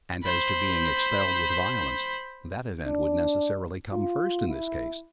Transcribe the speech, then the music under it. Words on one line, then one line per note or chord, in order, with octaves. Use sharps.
And as to being expelled with violence, that event would necessarily come first in this case.
C5 B5
D4
F4
E4